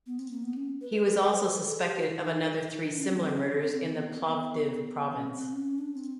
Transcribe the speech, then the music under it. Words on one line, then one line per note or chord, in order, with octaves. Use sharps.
He was also suspected of another three similar murders in the Plovdiv Province.
B3
C4
A#3
B3
C#4
B4
B4
A#4
B4
C5
B4
A4
G#4
G4
F#4
D#4
E4
D#4
D#4
D4
C#4
C4
C4
C#4
D4
C4
C4
B3
B3
C4
B3
C#4
C4
C#4
D4
C4